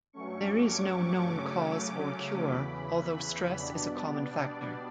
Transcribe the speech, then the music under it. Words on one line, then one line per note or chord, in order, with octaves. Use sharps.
There is no known cause or cure although stress is a common factor.
G2 F#3 A3 C#4 C#6
D6
D6
C#3 F#3 A3 C#4
E2 C#3 E3 B5
B2 G3 B3 D4 D5